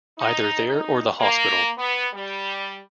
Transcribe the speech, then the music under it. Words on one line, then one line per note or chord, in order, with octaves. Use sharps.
Either there or the hospital.
D#4
D#4
A#3
B3
G3